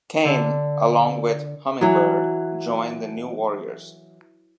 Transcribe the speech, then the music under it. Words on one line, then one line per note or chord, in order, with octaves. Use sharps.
Kaine along with Hummingbird join the New Warriors.
D3
E3 F#3